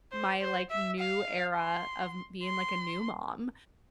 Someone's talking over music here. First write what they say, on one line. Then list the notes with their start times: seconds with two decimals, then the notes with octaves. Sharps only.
my, like, new era of being, like, a new mom,
0.12 C5
0.41 C5
0.70 E5
0.99 F5
1.56 C6
2.43 C6